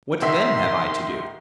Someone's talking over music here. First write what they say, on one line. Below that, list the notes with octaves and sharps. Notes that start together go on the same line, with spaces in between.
What then have I to do?
C2 D#3 E5 C6